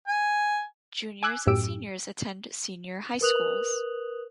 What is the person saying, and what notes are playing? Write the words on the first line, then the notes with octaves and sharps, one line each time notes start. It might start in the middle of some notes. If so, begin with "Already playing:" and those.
Juniors and seniors attend senior high schools.
G#5
G#5 D6 E6 F#6 G#6
F#2 A2 G4 E6 D7
A#4 B4 D#6 F#6 F7 F#7